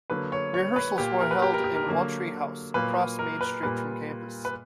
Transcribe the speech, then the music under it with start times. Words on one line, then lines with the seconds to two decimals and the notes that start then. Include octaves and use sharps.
Rehearsals were held in Autry House, across Main Street from campus.
0.10 D3 F#3 A#3 B4
0.32 C#5
0.54 C#5
0.76 B4
0.98 A#2 A#3 G4
1.20 A#4
1.31 B4
1.42 G4
1.54 A#4
1.64 G4
1.75 A#4
1.86 D3 F#3 A#3
2.74 A#2 F#3 A#3 B4
3.19 A#4
3.41 B4
3.63 A#2 G3 A#3 B4
4.45 B4